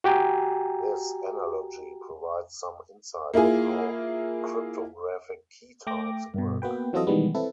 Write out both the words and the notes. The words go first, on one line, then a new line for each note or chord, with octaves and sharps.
This analogy provides some insight on how cryptographic key types work.
F#4 G4 G5 G#5 A#5
A#3 E4 F4 G#4
A3 G5 D6 A#6
G2 B2
A#3 B3 F#4 B4 G5
E3 F#3 C4 F4 A4 D#5
B2 D#3 E3 G3 G#3 B3
C4 E4 A4 B4